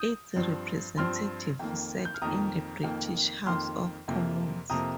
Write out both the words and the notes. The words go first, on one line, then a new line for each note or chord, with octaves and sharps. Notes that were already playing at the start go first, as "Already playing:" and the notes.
Its representatives sat in the British House of Commons.
Already playing: D#6 G6
G2 F3 C4
G2 F3 C4 C6 F6
F2 D#3 A#3
G6
F6
F2 D#3 A#3 A#5 D#6
F2 D#3 A#3
F2 D#3 A#3 C6 F6
F2 C3 F3 A#3
F2 C3 F3 A#3 A#5 D#6